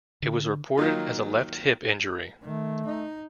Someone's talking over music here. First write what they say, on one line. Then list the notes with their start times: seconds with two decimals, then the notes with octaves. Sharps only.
It was reported as a left hip injury.
0.22 D3
0.78 D#3 F#3 A#3 D#4 F4
2.42 D#3 A3
2.85 D#4